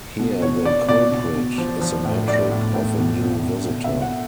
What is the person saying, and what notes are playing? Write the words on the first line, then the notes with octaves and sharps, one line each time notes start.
Here the culprit is the metric of a new visitor.
B2
B2 C#5
B2 D5
B2 D5
B2
B2
F3
F3
A2
A2 D5
A2
A2
B2
B2
B2
B2
E5
B2
F#5